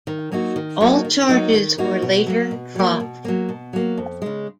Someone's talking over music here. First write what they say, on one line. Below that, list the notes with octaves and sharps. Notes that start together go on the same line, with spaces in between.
All charges were later dropped.
D#3
F#3 A#3 D#4 F#4
D#3
F#3 A#3 D#4 F#4
D#3
F#3 A#3 D#4 F#4
D#3
F#3 A#3 D#4 F#4
B2
F#3 A#3
B2
F#3 A#3
B2
F#3 A#3
B2
F#3 A#3
F2
C#3 G#3